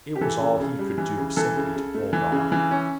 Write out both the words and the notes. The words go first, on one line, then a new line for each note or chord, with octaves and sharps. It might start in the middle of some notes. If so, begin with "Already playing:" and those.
It was all he could do simply to hold on.
G4
E3 A4
C#3
C#3
G3
E3
C#3
E3 A4
C#3
C#3
A3
E3
C#3
E3
C#4